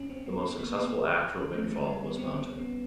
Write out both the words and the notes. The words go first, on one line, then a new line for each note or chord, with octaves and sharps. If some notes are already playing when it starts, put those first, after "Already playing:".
The most successful act for Windfall was Mountain.
Already playing: C#4
C4
B3
B3
A#3
B3
C#4
A3
G#3
G3
B3
C4
C#4
B3